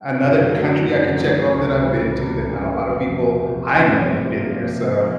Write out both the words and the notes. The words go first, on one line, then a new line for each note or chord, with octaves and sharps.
Another country I can check off that I've been to that not a lotta people I know have been there. So,
F#2
D#3 F#3 A3
F#2
D#3 F#3 A3
C#2
C#3 E3 G3
C#2
C#3 E3 G3
F1
E2 C3 F3
F1
E2 C3 F3
C3
F3 A#3
C3
F3 A#3